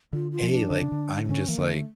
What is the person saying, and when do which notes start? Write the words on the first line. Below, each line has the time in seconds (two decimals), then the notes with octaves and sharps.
hey. Like, I'm just like,
0.13 D3 F4
0.32 F4
0.43 F3
0.51 D4
0.71 D3
0.82 C#3
0.92 D3
1.24 D4
1.29 D3 C#4
1.48 E3 A#3
1.58 D3
1.67 A3